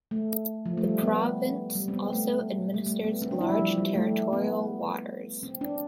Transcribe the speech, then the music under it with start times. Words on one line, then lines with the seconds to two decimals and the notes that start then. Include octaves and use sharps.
The province also administers large territorial waters.
0.11 A3
0.66 F3
0.77 A3
0.84 G3
1.02 B3
1.75 G3
1.88 C4
1.94 B3
2.13 A3
2.74 G3
2.86 A3
3.04 B3
3.22 C4
3.31 D4
3.41 E4
3.50 G3
3.59 F3
3.78 G3
3.95 A3
4.33 B3
5.43 C4
5.61 D4